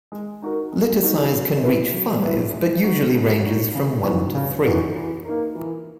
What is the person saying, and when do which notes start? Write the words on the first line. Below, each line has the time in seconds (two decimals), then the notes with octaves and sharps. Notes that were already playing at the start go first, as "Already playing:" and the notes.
Litter size can reach five, but usually ranges from one to three.
0.12 G#3
0.42 D#4 F#4 A#4
0.72 G#3
1.03 D#4 F#4 A#4
1.33 F#3
1.64 B3 E4 B4
1.93 F#3
2.23 B3 E4 B4
2.54 G#3
2.84 D#4 F#4
3.14 G#3
3.45 D#4 F#4
3.75 C#3
4.05 E3 B3 D#4 F#4
4.35 C#3
4.65 E3 B3 D#4 F#4
4.95 E3
5.25 A#3 D#4 A#4
5.55 E3